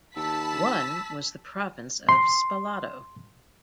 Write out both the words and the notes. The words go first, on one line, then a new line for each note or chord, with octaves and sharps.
One was the province of Spalato.
D#2 A5 B5 E6 B6
C6